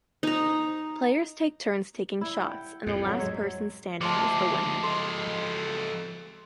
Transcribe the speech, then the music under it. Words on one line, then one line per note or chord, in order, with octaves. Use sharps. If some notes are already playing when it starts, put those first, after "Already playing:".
Players take turns taking shots, and the last person standing is the winner.
D#4 A#5
E4
F#5 G5
F2 A2
F#3
G#3 C#5 E5
D2 F3 G#3 A5 C6 D6
A4 D#5 C6